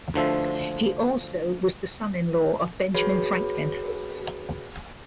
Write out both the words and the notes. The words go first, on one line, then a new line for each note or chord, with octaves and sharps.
He also was the son-in-law of Benjamin Franklin.
D2 D3 F3 E5
F#4 G#4 B4 C#5 B5